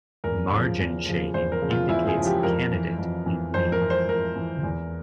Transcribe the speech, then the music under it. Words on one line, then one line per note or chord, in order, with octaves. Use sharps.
Margin shading indicates candidate in lead.
E2 A#4
C#3 F3
E2
C#3 F3
E2 C5
A#4
C#3 F3
F4
E2 E4
G#4
C#3 F3
G4
F2 A#4
E3
F2
E3
F2 C5
A#4
E3
C5
F2 A#4
E3
E2